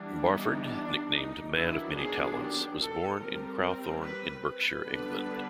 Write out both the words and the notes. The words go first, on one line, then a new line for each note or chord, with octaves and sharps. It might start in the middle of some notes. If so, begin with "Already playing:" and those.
Barford, nicknamed "Man of Many Talents," was born in Crowthorne in Berkshire, England.
Already playing: E3 G3 B3 D4
D#4
D4
D#4
D#3 F#3 B3 D4 E4
G#4
G4
A4
G3 C4 A#4
A#4
B4
B4
D3 G3 B3 D4